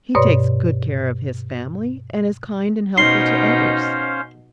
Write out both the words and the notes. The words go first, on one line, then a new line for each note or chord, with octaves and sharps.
He takes good care of his family, and is kind and helpful to others.
G2 B2 B4 C#5 D5 C6
B2 C#4 D#4 C5 F5 C6